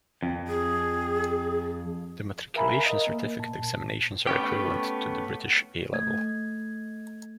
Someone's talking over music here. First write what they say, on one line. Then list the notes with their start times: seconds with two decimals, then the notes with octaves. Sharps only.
The Matriculation Certificate examinations are equivalent to the British A Level.
0.23 F2
0.48 G#4
2.55 A#4 E5 F5 G#5 A#5 B5
2.86 A#4 D#5
3.07 A#3
3.39 A#2 A5
4.27 A3 B3 C#4 G4
5.93 A3 G#6